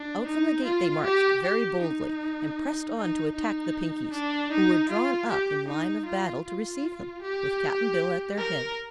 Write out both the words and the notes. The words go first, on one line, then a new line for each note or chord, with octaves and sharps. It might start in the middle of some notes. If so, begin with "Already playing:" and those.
Out from the gate they marched very boldly and pressed on to attack the Pinkies, who were drawn up in line of battle to receive them, with Cap'n Bill at their head.
Already playing: D4
D#4
F4
G4
G4
D#4
D#4
D#4
D4
D#4
F4
G4
D#4
F4
F4
G4
A#4